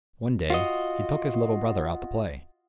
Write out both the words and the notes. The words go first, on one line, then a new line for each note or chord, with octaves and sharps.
One day, he took his little brother out to play.
F4 F#4 D#5